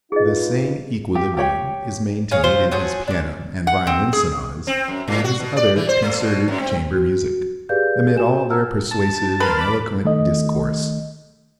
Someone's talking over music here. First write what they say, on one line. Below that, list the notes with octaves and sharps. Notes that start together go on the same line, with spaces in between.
The same equilibrium is maintained in his piano and violin sonatas and his other concerted chamber music, amid all their persuasive and eloquent discourse.
D#4 F4 G#4 B4 D#5
G4
G4 C#5 G5
G#4 C#5 F5
C3 F4 C5
F3 F#3 F#4 G#4
D4 D5
F#5
C4
G#4
C4
F#2
A2
F#4
B2
D5
E3
C5
A3
B2
F#2
C4
F#4
G4 G#4 B4 D5 F5 G6
F#4 G5 G#5 E7
F#5 A5 A#5 E6 F6
A5
A#4 B4 C6 F6
B5 D6
D#3 A3 D#5